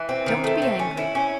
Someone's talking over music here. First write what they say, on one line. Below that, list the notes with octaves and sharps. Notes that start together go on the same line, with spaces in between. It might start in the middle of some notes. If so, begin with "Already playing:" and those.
Don't be angry.
Already playing: E3
C4
D#3
A3
C4
C#4
E4
C#4